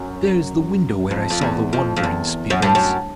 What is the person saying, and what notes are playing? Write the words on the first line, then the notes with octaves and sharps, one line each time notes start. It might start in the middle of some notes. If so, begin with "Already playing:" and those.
There's the window where I saw the wandering Spirits!
Already playing: F#2
F2
F2
E2
F2
F2
E2
F#2
G2
F#2